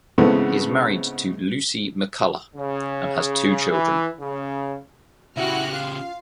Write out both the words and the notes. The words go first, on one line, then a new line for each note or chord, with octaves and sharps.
He is married to Lucci McCullough and has two children.
G#2 C#3 E3 A3 B3 C4
C#3
E3
C#3
C#3 E4 F#4 G4 F6 F#6
F4 F5